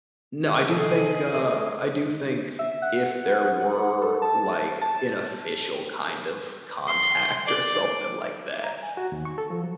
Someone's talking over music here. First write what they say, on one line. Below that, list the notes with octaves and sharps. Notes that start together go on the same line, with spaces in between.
no, I do think, uh I do think if there were, like, an official kind of contact or something like that,
D#2 C3 G#4 A4 D#5
C#3 A3
E5
F#5
A4
A5
A5
C6
D5
A#5
G#5
F#4
D#2
C#6
A4
F3
F#3